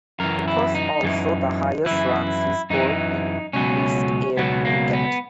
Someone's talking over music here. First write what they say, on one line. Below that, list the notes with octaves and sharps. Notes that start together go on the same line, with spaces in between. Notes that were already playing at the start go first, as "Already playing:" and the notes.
It was also the highest runs he scored in List A cricket.
F#2 E3 A#4
E4
D#4
F#2 E3
F#2 E3 E4
F#2 E3 D#4
C#2 B2 F#3 C#4
C#2 B2 F#3 B3
A#3
B3